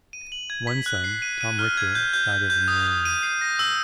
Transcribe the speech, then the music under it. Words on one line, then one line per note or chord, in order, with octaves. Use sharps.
One son, Tom Richter, died at an early age.
D#7
F#7
G#6
B6
F#6
C7
D#7
D#7
F6
G#6
G6
G6
G6
G6
D#6
D#6
D#7
C7
A#6
E6